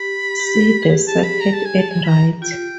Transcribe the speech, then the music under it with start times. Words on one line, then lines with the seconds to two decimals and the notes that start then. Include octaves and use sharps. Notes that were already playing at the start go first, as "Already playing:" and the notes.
See the circuit at right.
Already playing: G4 B5
0.40 G4
0.83 G#4
0.90 G4
1.07 A5
1.23 B5
1.40 A#5
1.53 A5
1.65 G#5
1.79 A5
1.91 G#5
2.04 B5
2.08 A#5
2.42 F4 G5